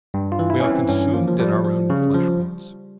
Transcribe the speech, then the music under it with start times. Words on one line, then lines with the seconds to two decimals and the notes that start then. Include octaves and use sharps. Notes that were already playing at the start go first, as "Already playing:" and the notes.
We are consumed in our own flesh-pots.
0.14 G2
0.32 F4
0.39 E3
0.50 E4
0.60 E3 C#4
0.70 C4
0.89 G2 C#4
1.14 F3 A#3
1.28 F3
1.39 F3 G3
1.64 F3
1.90 C#3
2.14 F3